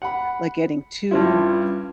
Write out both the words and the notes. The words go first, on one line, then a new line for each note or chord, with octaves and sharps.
like, getting too
F#5 B5
G2 C#4 E4 F4